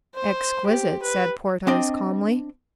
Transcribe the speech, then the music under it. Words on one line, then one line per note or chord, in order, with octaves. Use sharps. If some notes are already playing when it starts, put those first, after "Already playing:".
"Exquisite," said Porthos, calmly.
C5
G4
B4
C4 D4 D#5 G5